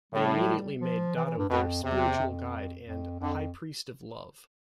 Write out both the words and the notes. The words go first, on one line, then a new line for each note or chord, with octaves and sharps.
They immediately made Dado their "spiritual guide" and "high priest of love".
A2 G3
F3
E3
E3
G2
F2 B2
E2 C3
F2
F2
F2 D3